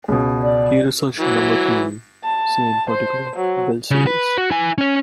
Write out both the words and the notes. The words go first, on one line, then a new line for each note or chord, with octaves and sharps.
He researched number theory; see in particular Bell series.
C#2 B2
D5
E3 F#3
A5
C5
F#3
C#3
B4
F#4
E4 G#5
C#4 C#5